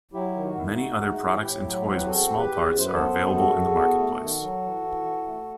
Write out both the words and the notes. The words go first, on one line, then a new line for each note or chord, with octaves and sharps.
Many other products and toys with small parts are available in the market place.
F#3 E4 G4
D#3
F#4
A3 E4
D#4 F#4
A3
E2
E3
A2 E4 G4
F#3
C4 C5
B4
E2 F#4 A4
E2
G4 B4
E2
F#2
C5
B4
B3 A4 C5
F#2
E2 F#4 A4
E2
B3
A3
D#3
F#3
E3
E3
E3
A3